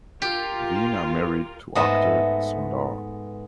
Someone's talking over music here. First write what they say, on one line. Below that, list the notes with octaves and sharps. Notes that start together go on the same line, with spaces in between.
Veena married to actor Sundar.
F4 G4 A#4
G#2 A3 B3 D#5 E5